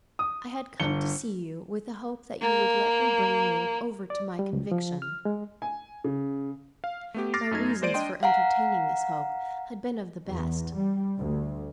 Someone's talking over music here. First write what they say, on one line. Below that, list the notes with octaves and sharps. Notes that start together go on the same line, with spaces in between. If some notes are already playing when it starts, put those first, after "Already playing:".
I had come to see you with the hope that you would let me bring you over to my conviction; my reasons for entertaining this hope had been of the best.
D#6
G1 C#7 G7
A#3
D5
G3
C#2
F3
F6
G#3
G#5
C#3
F5
A3 B3 G4
D6 F6 A6 A#6 C7
F#2 A3 D#4 G#6
G#3 A#3 C5 D5 D7 D#7
D4 D#5 G5 C6
F5 F#5 A#5
E2
G3
D2